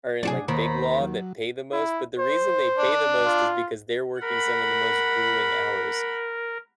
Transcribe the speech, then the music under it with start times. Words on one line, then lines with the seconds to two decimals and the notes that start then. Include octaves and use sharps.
are in, like, big law that pay the most, but the reason they pay the most is because they're working some of the most grueling hours.
0.23 C3 F#3 D4 F#4 G#4
0.48 D#2 D#3 C5 A#5 B5
1.01 F#3
1.73 E4
2.19 C5
2.78 D4
3.26 F4
4.21 A#4 F#5 B5